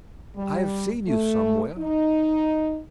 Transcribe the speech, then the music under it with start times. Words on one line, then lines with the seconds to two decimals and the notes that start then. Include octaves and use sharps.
"I have seen you somewhere."
0.35 G3
1.08 A3
1.78 D#4